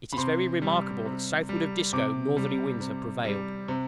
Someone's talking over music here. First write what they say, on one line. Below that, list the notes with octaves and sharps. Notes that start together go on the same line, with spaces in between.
It is very remarkable that southward of Disco northerly winds have prevailed.
B5
C3 C6
G3
C3
G3
C3 D6
G3
C3
G3
C3